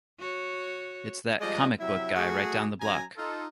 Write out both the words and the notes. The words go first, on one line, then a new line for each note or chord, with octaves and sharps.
It's that comic-book guy right down the block.
F#4 C#5
F3 G3 G#3 G#4 D5 D#5
C3 F#3 E4 E5
F#3 A3 F#4 G#4
F#2 G#5 A#5
D#4 F4 A4